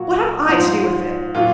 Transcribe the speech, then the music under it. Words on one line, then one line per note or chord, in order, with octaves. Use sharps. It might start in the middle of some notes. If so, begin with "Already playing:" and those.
What have I to do with it?
Already playing: A#2 F#3 F#4
G#2 F3
A#2 F#3 F4